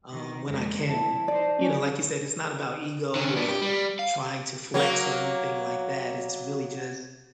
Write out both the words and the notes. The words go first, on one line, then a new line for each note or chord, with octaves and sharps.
um, when I can. You know, like you said, it's not about ego, or trying to flex, or anything like that, it's really just
D#3
F2 G#3 A#3
F3 E4 A5
D#4 C5 D5
F#3 C#4 G4
D3 C#4
B3 D4
G4
G3
F5
F#3 A#3